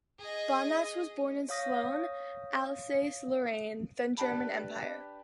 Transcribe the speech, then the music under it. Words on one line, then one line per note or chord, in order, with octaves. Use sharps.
Bonatz was born in Solgne, Alsace-Lorraine, then German Empire.
G#4 D#5
C#5 F5 D#6 A#6
D4 G4 B4 G5 A5 B5